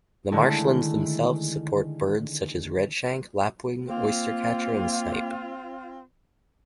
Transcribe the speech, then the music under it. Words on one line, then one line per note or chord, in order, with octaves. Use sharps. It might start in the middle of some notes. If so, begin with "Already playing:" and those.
The marshlands themselves support birds such as redshank, lapwing, oystercatcher and snipe.
D3 D#3 G#3 A3 E4 A4
A#3 C4 F4